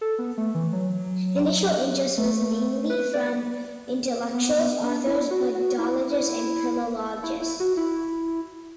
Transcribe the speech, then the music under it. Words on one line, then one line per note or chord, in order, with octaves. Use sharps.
Initial interest was mainly from intellectuals, authors, Buddhologists and Philologists.
A4
B3
A3
E3
F#3
A3
B4
D5
B3
B3
D4
E4
F#4
F#4
E4
E4
E4
F#4
E4